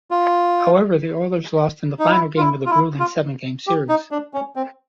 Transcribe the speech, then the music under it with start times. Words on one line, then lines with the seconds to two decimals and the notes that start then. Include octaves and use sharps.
However, the Oilers lost in the Final game of a gruelling seven-game series.
0.11 F4
1.99 D#4
2.11 E4
2.37 F4
2.40 E4
2.66 F4
2.71 E4
2.99 F4
3.67 G4
3.89 D#4
4.11 D4
4.34 C#4
4.56 C4